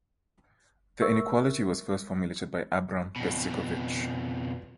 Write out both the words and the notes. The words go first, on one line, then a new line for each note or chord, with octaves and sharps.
The inequality was first formulated by Abram Besicovitch.
A#4 E5 C#6 E6
F2 B2